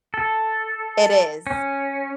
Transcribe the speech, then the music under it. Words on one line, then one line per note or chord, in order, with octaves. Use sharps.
It is.
A4
C#4